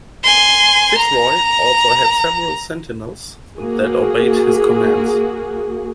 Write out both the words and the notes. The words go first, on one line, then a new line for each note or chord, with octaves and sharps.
Fitzroy also had several Sentinels that obeyed his commands.
G#5 C6
A#5
A#3 F#4 G#4